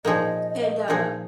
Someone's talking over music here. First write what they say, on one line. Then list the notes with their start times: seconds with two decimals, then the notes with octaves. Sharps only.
And, uh,
0.05 A#2 F3 A#3 D#4 G#4 D#5
0.88 A#2 F3 A#3 D#4 G#4